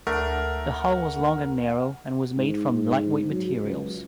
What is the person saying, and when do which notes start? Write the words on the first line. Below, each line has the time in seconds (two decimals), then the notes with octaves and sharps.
The hull was long and narrow and was made from lightweight materials.
0.07 D2 A3 D4 A#4 F#5
2.37 G#2
2.72 G#2
3.30 F#3
3.62 C#2